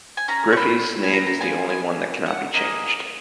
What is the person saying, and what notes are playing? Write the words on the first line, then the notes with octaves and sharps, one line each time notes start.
Griffey's name is the only one that cannot be changed.
G#5
C#4 G#4 A#5
C#6
B5
G#5
A#5
A#5
B3 F4 G#4 G#5
G#5
F#5
A#3 D#4 G#4 D#5